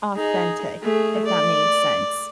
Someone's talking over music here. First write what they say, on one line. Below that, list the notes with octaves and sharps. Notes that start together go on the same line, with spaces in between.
authentic if that made sense.
D#4 G#4
A3 G#4
D5